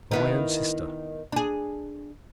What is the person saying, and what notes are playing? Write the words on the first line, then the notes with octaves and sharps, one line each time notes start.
From my own sister?
D#3 B3 E4
D4 G#4